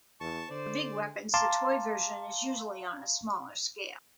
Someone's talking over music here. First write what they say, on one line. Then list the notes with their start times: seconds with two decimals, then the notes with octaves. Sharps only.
For big weapons, the toy version is usually on a smaller scale.
0.20 E2 A5 C#6
0.50 D3 C5 D5
1.34 F5 A5 A#5 C6 D6